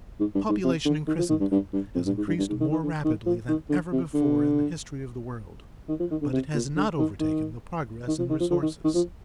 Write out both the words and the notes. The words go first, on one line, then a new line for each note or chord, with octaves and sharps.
Population in Christendom has increased more rapidly than ever before in the history of the world, but it has not overtaken the progress in resources.
G#2
G2
G#2
C3
D3
D#3
F3
D#3
G2
G2
G2
F2
G2
G#2
G2
G2
G#2
D#3
D#3
D3
D#3
F3
D#3
D3
C3
D3
D#3
F3
D#3
D3
C3
A#2
D3
D#3
D#3
D#3
F3
D#3
F3
F3
D#3
D#3
F3